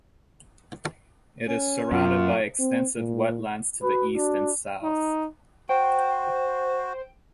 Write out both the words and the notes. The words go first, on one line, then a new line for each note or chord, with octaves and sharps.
It is surrounded by extensive wetlands to the east and south.
C#4
F#2 F4
C4
A#2
F#4 B4
D4
D#4
F#4 C5 G5